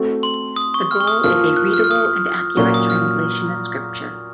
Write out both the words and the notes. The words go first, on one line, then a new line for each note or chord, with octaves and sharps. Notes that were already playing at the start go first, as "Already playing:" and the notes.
The goal is a readable and accurate translation of Scripture.
Already playing: A3 C4 F#4 A4
C6
D#6
C#6
F6
C#6
D#6
F3 A#3 F4 F6
F#6
F6
F6
D#6
A#2 F#3 A#3 C#4 F4 C#6
D#6
F6